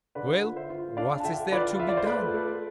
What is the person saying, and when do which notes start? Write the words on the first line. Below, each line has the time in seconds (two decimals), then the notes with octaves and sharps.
'Well, what is there to be done?
0.15 D3 B4 D5
0.43 F4
0.56 C5 E5
0.70 F4
0.97 D4 D5 F5
1.20 A5
1.24 D3 E5 G5
1.52 F4 B4 D5
1.79 F4 E5
1.89 D5
1.97 C5
2.06 A3 B4 D5
2.34 A3